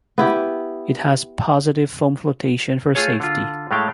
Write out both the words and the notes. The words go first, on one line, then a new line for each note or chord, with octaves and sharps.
It has positive foam flotation for safety.
B3 E4 G4
A3 F4 G#4 C#5
D3 F4
A2 G#3 A3 F5 G5